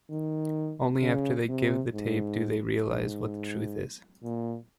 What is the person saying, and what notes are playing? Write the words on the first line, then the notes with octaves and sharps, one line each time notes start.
Only after they give the tape do they realise what the truth is.
D#3
C#3
C3
G#2
G#2
A#2